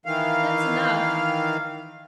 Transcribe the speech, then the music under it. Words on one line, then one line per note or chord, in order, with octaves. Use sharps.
"That's enough."
D#3 E3 F5